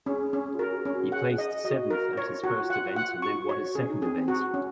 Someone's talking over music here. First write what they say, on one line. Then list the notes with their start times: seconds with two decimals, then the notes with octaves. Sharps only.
He placed seventh at his first event and then won his second event.
0.06 C#4 G#4
0.33 C#4
0.54 F4
0.59 F#4 A#4
0.71 F#4
0.77 G#4
0.85 C#4
0.95 F#4
1.12 G#4 F#5
1.38 D#5
1.65 F#4 D#5
1.90 A#4
2.17 F4 C#5
2.44 F#4
2.70 F#5
2.96 F#5
3.22 F#4 C#6
3.32 F4
3.42 F#4
3.49 C#5
3.75 C#4 G#4
3.89 D#4
4.02 C4 G#4
4.15 C4
4.28 F#4
4.54 C#4